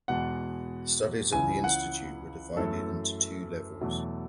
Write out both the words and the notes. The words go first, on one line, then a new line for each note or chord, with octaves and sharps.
Studies at the Institute were divided into two levels.
E2 B2 G#3 F#5
C#2 C#3 E3 G#5
F#5
F#2 E3 A3 A4
E2 B2 F#3 A3